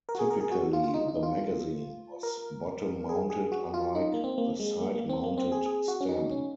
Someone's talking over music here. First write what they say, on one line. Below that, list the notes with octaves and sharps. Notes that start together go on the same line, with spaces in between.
Typically, the magazine was bottom-mounted unlike the side-mounted Sten.
A#4
F#4
G#4
A#4
G#4
F#4
F4
F4
D#4
D#4
F4
F4
A#4
G#4
G#4
F#4
F4
D#4
A#3
C4
A#3
G#3
A#3
A#3
C4
A#3
C4
G#4
G#4
F#4
C#4
D#4
C#4